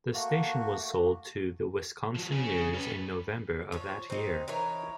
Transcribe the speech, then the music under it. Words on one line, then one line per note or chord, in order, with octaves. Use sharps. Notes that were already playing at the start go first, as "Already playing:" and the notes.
The station was sold to The Wisconsin News in November of that year.
A3 A#3 F#4
F3 F#3
C#4 G#4
C#4 B4
F3 C#5
C4 D#4
E3 D#4 A#4 C#5